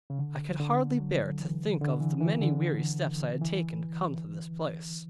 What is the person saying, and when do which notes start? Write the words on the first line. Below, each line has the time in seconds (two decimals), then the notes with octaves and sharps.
I could hardly bear to think of the many weary steps I had taken, to come to this place.
0.10 C#3
0.19 D3
0.60 D3
1.00 F#3
1.40 E3
1.81 D3
2.01 E3
2.21 E3
2.41 D3
3.42 E3